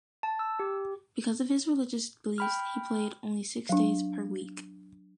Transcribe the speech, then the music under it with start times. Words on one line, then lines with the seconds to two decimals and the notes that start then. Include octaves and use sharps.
Because of his religious beliefs, he played only six days per week.
0.23 A5
0.39 E6
0.59 G4
2.38 G5 B5 F6
3.69 F#3 D4